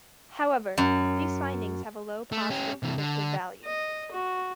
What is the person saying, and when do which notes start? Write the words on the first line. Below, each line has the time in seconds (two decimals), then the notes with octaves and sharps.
However, these findings have a low positive predictive value.
0.78 F#2
2.32 A3
2.50 C#4 G4
2.83 C3 E3
2.98 D3
3.65 D#5
4.12 F#4